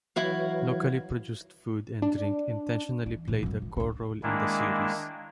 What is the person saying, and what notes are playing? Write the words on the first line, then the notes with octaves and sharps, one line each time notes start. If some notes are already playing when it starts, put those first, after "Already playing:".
Locally produced food and drink intentionally played a core role in the series.
E3 F#3 E4 F#4 F5
D4
E3
A#2
F#2 F#3
D#3
D1 D4
D#3 G#3 A#3 D4 E4